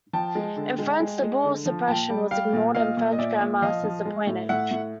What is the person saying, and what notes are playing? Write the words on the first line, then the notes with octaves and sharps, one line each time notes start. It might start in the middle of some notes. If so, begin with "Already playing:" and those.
In France, the Bull of suppression was ignored and French Grand Masters appointed.
F3 G5 A5
G#3
D3
G#3
G#3
G#3
D3
F3
A#2 G5 A5
G3
G3 F5 G5
A#2
A#2 D#5 F5
A#2
D#5
A#2 D5 E5
A#2
F3 D#5 F5
F3
G#3
A2
A2 E5 F#5
A2